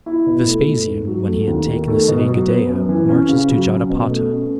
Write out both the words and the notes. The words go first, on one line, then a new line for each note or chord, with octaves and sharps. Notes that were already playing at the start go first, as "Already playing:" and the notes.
Vespasian, When He Had Taken The City Gadaea Marches To Jotapata.
E4
B2
A3
A3
G#2
F#3
A3
D#2
D#3
A3
B2
F#3
B3
F#2
E3
C#4
C#3
F#3
C#4
B2
A3
C#4